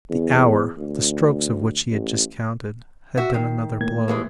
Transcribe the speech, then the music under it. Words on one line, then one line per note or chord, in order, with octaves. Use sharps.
The hour, the strokes of which he had just counted, had been another blow.
E2
D2
A1
F#4 E5
D#3
A2 A#3 G#6
D#2 E3 G#3